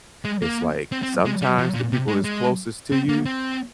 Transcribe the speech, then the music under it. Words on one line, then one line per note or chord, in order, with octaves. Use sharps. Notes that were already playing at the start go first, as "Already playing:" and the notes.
It's, like, sometimes the people that's closest to you
G#3
A#3
C4
C4
G#3
G3
F3
A#2
C3
G#3
G#3
C4
A#3
C4